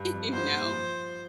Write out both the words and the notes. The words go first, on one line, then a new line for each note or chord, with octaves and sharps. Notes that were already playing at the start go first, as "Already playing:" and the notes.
you know,
Already playing: G2
F2
G#2 C5
A#2
F3